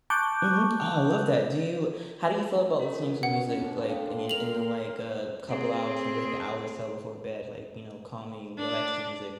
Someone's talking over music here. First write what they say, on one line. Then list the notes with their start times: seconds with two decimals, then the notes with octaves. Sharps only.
Mhm, oh, I love that, do you how do you feel about listening to music? Like, in in the like, uh, a couple hours maybe, like, an hour or so before bed like, you know, calming, relaxing music?
0.10 A5 C#6 D6 F#6 G6
2.80 B3 C#4 F4 A#4 D#5
3.23 F#5
3.55 D4
3.87 A4 F5 G5 C6
4.29 A#4 C6 F7 F#7
5.48 C4 G#4
8.58 D4